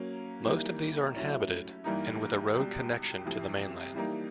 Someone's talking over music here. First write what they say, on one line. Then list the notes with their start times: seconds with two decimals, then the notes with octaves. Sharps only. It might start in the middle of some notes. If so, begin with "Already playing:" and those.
Most of these are inhabited, and with a road connection to the mainland.
Already playing: F#3 A#3 C#4
0.45 E3 G3 A#3 D#4
1.14 F#3 A3 C#4 E4
1.84 G2 E3 G3 A#3 D#4
2.54 C#2 B2 G3
3.25 F2 C3 E3
3.95 E3 G3 A#3 D#4